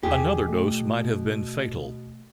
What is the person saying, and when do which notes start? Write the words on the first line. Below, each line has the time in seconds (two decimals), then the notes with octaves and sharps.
Another dose might have been fatal.
0.03 E2 B2 G4 G#4
0.48 A3